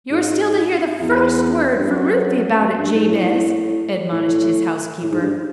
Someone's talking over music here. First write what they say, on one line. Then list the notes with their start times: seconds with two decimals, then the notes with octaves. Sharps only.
"You are still to hear the first word from Ruthie about it, Jabez," admonished his housekeeper.
0.11 G#2
1.01 E2
1.79 G2
1.89 F#2
2.79 G2
2.94 G#2
3.09 A2
3.24 A2
4.12 A2
5.02 A2
5.11 G#2
5.21 G2